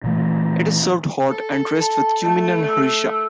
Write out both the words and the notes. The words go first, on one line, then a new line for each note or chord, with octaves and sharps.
It is served hot and dressed with cumin and harissa.
A#2 E3 A3
A4
A5
A3
E6